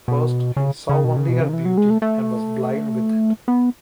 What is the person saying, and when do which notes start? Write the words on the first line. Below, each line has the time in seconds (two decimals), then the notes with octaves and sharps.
First he saw only her beauty, and was blind with it.
0.08 B2
0.57 C#3
0.89 C#3
1.05 B2
1.17 C#3
1.29 B2
1.41 C#3
1.49 D#3
1.53 E3
1.65 F#3
1.77 G#3
1.90 A3
2.02 A3
3.48 B3